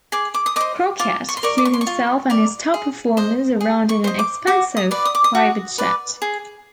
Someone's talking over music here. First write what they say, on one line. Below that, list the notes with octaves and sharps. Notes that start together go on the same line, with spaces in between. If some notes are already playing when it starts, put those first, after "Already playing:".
Crockett flew himself and his top performers around in an expensive private jet.
G#4 D6
D6
D#6
C5 D#5 D6
F4 D6
C#6
C6
A#4 D5 C#6
D6
C#6
C6
C#6
F4
A#4 D5
G#4
C5 D#5
G#4
C#6
C5 D#5
D6
F#4 D6
D#6
B4 D5
D#6
D6
D#6
F#4
B4 D5
G#4